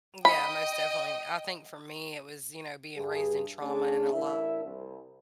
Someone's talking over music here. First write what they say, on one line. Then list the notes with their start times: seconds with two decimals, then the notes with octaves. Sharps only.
Yeah, most definitely. I think for me it was, you know, being raised in trauma and a lot
0.25 D#5 G5 B5
2.97 G2 G#4
3.62 A3 C#4 D4 G#4
4.13 A1 D4 E4 A#4 E5
4.64 C2